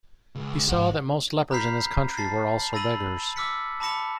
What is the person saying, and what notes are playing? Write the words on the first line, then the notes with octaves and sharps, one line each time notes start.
He saw that most lepers in his country were also beggars.
C#2
G#1 G#2 G4 F#5
A#5 B5 F6 G6 B6 C7
A5 A6 C7
B5 E6 A6 A#6 D#7 F#7
D6 E6 F6 B6 C#7
A5 B5 D6 A#6 C#7 E7